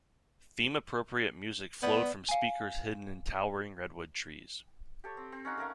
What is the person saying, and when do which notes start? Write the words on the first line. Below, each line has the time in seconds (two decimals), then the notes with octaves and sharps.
Theme-appropriate music flowed from speakers hidden in towering redwood trees.
1.83 B3 D5
2.29 F5 G#5
5.04 G4 A4 C#5
5.17 C4
5.32 C4
5.45 C#4 D#4 F#5
5.57 A3 C#4 A#4 F5